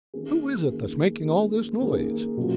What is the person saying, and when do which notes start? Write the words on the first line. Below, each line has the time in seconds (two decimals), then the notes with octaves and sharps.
"Who is it that's making all this noise?"
0.14 D#3 A#3 C#4 G#4
0.70 D#3 A#3 C#4 G#4
1.26 D#3 A#3 C#4 G#4
1.81 D#3 A#3 C#4 G#4
2.37 B2 F#3 C#4 F4